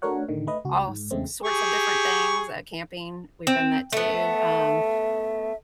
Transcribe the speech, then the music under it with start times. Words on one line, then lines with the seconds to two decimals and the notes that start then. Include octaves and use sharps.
all s sorts of different things. Uh, camping, we've done that too. Um,
0.02 A3 D4 F#4 A#4 C#5 F#5
0.29 A2 D3 D#3
0.47 A3 B4 D#5
0.65 C#2 F#4
0.88 G#2
1.11 E2 C#3 G#3 A3 C4
1.45 G4 G#4 C#6
3.47 C4
3.92 A3 B3 E5